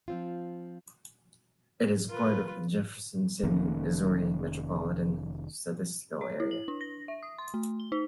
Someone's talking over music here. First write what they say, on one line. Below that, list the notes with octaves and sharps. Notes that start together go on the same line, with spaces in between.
It is part of the Jefferson City, Missouri Metropolitan Statistical Area.
F3 C4 F4
F4 A#4 B4
F1 D#3 A#3 C#4
C#5
E4
F#7
D4
A#6
E5
D#6
C6
A3
G7
D#4